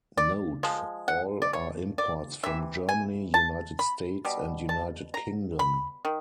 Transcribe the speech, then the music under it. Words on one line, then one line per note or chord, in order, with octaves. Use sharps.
Note: All are imports from Germany, United States and United Kingdom.
D5
F3 G#3
F#5
D5
C#5
D5
C3 E3 E5
G#5
A5
B5
B2 G3
A5
A#5
B5
D#3